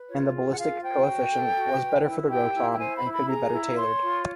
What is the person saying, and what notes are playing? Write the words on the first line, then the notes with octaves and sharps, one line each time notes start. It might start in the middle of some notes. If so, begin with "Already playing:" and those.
And the ballistic coefficient was better for the Roton and could be better tailored.
Already playing: B4
F4 C#5
G#4
F#5
F4 F5
C5 G5
F#4
A4
F#4
B4
E4
G4 G5
E4
G5
C5 G#5
B5
E4
B5
G#4 A#5
E4
C#5 C6
F4